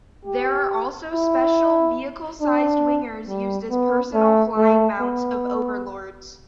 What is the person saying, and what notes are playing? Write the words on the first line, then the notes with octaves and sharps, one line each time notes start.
There are also special, vehicle-sized Wingers used as the personal flying mounts of Overlords.
G4
E4
D4
G3
B3
A3
A3
B3